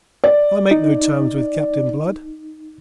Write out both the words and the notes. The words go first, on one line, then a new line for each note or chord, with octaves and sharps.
I make no terms with Captain Blood.
D5
D#4